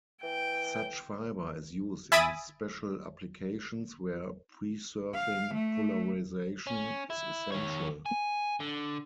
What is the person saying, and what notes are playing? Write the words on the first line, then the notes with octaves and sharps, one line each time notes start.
Such fiber is used in special applications where preserving polarization is essential.
E3 G5
E5 G#5 B5 D#6 A6 D7
F5
A3
C#4
E4
D#3 C#5
G#5
D3